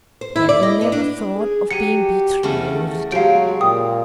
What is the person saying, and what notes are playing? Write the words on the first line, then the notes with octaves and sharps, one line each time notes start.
"Have you never thought of being betrothed?"
C5
E4
D5
D#5
B3
D4
G#4
F#3 G4 C#7 D#7
E2 C#3 A3
F3 F#3 G#3 G4 F5 D7
A#2 G5 D#6